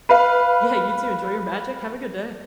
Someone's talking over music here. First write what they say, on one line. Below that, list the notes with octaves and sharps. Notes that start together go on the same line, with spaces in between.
Yeah, you too, enjoy your magic, have a good day.
B4 F5